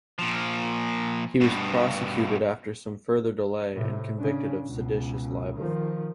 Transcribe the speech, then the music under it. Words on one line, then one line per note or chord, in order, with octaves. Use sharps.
He was prosecuted after some further delay and convicted of seditious libel.
A#2 F3
G2 B2
A2 C3
C#3 D4
C#2 B2
D#3 F3